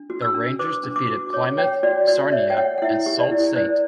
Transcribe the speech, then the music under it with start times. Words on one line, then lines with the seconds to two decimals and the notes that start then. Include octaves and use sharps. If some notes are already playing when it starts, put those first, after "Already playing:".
The Rangers defeated Plymouth, Sarnia and Sault Ste.
Already playing: D4
0.10 F#4
0.22 E6
0.34 D4
0.59 B4 D6
0.84 D4
0.96 D6
1.09 F#4
1.33 C#5 D6
1.58 C#5 G5
1.83 F#4 D5
2.07 F#4 D5
2.23 D5
2.32 C#5 E5
2.50 G5
2.57 C#5 F#5
2.78 F#5
2.82 E4 E5
3.06 G4
3.19 D5
3.31 E4
3.56 B4 D5